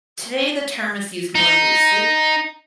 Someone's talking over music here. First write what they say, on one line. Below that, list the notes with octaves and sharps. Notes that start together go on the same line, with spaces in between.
Today the term is used more loosely.
D#4